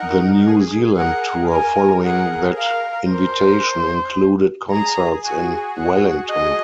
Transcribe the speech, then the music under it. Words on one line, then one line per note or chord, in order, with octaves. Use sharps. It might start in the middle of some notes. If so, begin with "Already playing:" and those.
The New Zealand tour following that invitation included concerts in Wellington.
Already playing: D#4 A#4 F#5
G#4
A#4 F#5
A#4 G#5
G#4 F#5
A#4 F5
C5
G#4 A#5
F#4 G#5
F#5
D#5